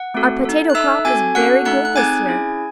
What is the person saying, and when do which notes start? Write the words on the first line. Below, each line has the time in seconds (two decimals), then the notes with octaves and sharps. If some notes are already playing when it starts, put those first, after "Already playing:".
Our potato crop is very good this year.
Already playing: F#5
0.14 A3 C4 F#4 A4
0.45 D#4 A4
0.70 F#6
0.74 D#4 A4 E5 E6
1.05 C4 F#4 A4 G#5 G#6
1.35 C#4 F#4 A4 F#5 F#6
1.65 A3 D#4 A4 F#5 F#6
1.85 F#6
1.96 C4 D#4 G#4 G#5 G#6
2.26 C#4 E4 G#4